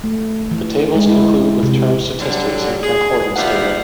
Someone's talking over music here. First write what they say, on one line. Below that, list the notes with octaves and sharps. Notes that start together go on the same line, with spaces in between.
The tables conclude with term statistics and concordance data.
A3
E3
G#3
E4
C3
D3 F#3 G3
G#4
D#2 F3 G3 F4 E5 F#5